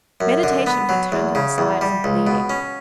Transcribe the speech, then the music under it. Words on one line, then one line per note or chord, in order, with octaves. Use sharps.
Meditation had turned him aside from pleading.
F#2
D3
B3
F#3
E2
C#3
E2
G3
C#2
B2
C#4